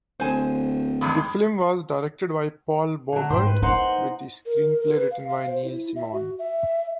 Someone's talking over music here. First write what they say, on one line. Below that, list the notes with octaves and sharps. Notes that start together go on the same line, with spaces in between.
The film was directed by Paul Bogart with the screenplay written by Neil Simon.
D1 C5 G#5
E2 G2 G#3
D3 F#3
G#2 C5 G5
B4
A#3 D#4 C5 F#5
A#4
A#4
B4
F5
F5
C5
E4
E5
F#4
E5